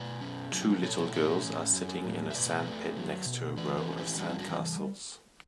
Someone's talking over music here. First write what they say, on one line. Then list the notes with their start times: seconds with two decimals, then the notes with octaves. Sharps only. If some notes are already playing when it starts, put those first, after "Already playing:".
Two little girls are sitting in a sandpit next to a row of sand castles.
Already playing: B2 B4 D5
0.21 C#4
0.52 F#3 E4 G4
0.82 B2 A4 C#5
1.13 A2 C#5 E5
1.43 C#4
1.74 F#3
2.05 A2
2.30 E5
2.35 B2 B4 D5
2.66 A3
2.97 F#3
3.26 B2
3.57 E3 B4 D5
3.77 G4 B4
3.88 C#4
3.97 E4 G4
4.17 G3 D4 F#4
4.29 E4
4.38 D4 F#4
4.48 E3